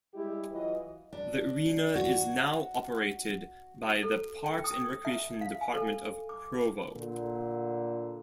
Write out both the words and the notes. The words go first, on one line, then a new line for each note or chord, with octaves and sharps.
The arena is now operated by the Parks and Recreation Department of Provo.
G3 G#3 E4 G4
E3 F#3 F4 B4 D#5
D4
F#4
A4
G5
D#6
E5
F5
G#5
A4
D6
A#2 D3